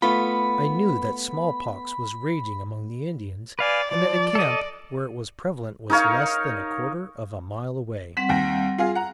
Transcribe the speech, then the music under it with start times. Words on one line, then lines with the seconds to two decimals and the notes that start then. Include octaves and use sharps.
I knew that smallpox was raging among the Indians, and that a camp where it was prevalent was less than a quarter of a mile away.
0.02 A3 B3 F4 B5
3.59 B4 D5 F5 G#5
3.91 F3 D5
4.35 A4 D#5
5.90 D#4 A#4 C#5 F5
8.17 G3 C4 F#5 B6
8.29 D#2 G5 A#6
8.78 F4 G#4 F5
8.95 F#5 A#5